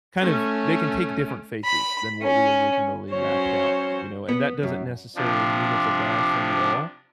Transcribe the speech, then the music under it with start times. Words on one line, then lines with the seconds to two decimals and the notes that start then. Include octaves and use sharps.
kind of they can take different faces than what we originally mapped out, you know? And that doesn't necessarily mean it's a bad thing at all.
0.20 A3 C#4
1.64 B5
2.22 C#4
3.12 F#3 C#4 C5 C#5
4.29 B3
4.63 F#2
5.16 C3 F3 D4